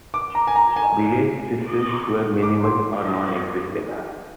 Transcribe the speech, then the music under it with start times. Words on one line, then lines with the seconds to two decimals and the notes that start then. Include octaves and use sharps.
Belay systems were minimal or non-existent.
0.14 D6
0.35 A#5
0.47 G#5
0.56 A#5
0.76 G#5
2.43 D6
2.63 C6